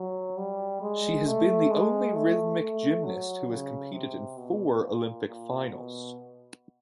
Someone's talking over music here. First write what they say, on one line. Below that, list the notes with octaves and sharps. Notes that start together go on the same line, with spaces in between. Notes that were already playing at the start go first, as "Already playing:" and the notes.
She has been the only rhythmic gymnast who has competed in four Olympic Finals.
Already playing: F#3
G3
G#3
A3
G#3
A3
A3
F#3
C#3
C3
B2
A#2
A#2
B2